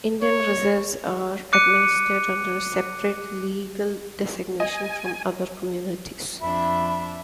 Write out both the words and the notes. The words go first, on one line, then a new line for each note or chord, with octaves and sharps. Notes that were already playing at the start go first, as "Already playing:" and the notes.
Indian Reserves are administered under a separate legal designation from other communities.
C#5
D6 F#6 C#7 D#7
D#5 G#5
F2 D4 E5 B5